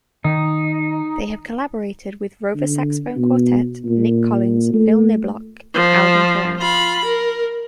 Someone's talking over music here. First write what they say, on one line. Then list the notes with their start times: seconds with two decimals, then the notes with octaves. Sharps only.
They have collaborated with Rova Saxophone Quartet, Nick Collins, Phill Niblock, and Alvin Curran.
0.24 D#3 D#4
2.55 D3
3.16 B2
3.85 A#2
4.74 A3
5.74 F3
6.59 F4 B5
7.05 A#4